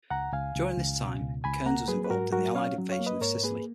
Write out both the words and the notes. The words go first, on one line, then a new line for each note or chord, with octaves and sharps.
During this time, "Cairns" was involved in the Allied invasion of Sicily.
C#2 F#5 A#5
C#2 F5 G#5
C#2
C#2
B2
C#2
C#2 G#5 B5
A#3 F#5 A#5
F#3 G#4 B4
B4
G#2 F#4 A#4
F#3 F#4 A#4
C#4 C#5 F5
F#3
C#5 F5
A#3
B4 D#5
G#2 A#4 C#5
A#3 G#4 B4